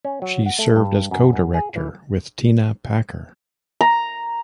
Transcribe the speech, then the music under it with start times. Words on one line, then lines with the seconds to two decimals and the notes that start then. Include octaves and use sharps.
She served as co-director, with Tina Packer.
0.05 C#4
0.22 F#3
0.46 F#5
0.59 A3
0.76 G2
1.11 F#2
1.33 F#2
1.54 G#4
1.76 E3
3.81 A#5